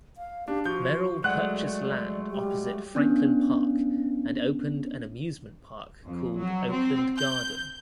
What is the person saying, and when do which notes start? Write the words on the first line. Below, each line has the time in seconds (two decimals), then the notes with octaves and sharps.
Merrill purchased land opposite Franklin Park and opened an amusement park called Oakland Garden.
0.17 F5
0.48 D4 G4
0.65 F3 F#4 G6
1.24 F#3 G#3 A3 D5 F#5 F#6
2.30 G3
2.95 B3 C#4 D4
6.05 F2
6.38 F#3
6.71 C4
7.17 G6